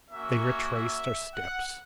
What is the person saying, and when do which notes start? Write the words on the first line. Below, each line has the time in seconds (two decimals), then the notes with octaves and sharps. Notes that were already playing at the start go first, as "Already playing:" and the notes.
They retraced their steps.
0.10 A#3 C#4 F#4 E5
0.72 E5
1.34 F#5